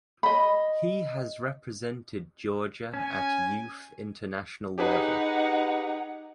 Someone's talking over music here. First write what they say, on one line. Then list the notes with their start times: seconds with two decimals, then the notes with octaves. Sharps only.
He has represented Georgia at youth international level.
0.23 D#5 B5
2.94 C#4 G#5
4.78 D#4 G4 G#4 B4 F#5